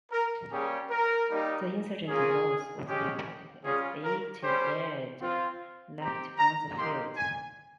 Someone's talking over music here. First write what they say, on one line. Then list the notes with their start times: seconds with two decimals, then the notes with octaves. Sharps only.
The insurgent loss was reported as eight dead, left on the field.
0.12 A#4
0.51 G3 A#3 C#4 G4 G#4
0.90 A#4
1.30 G3 A#3 D#4 G4
2.08 A#3 C#4 F4 G#4
2.86 G#3 C#4 G4
3.64 G3 C#4 F4 G#4
4.04 A#4
4.43 G3 C#4 G4 C5
5.21 C4 F4
5.99 C4 G4 A#5
6.38 A#5
6.77 A#3 D#4 G4 C6
7.17 G#5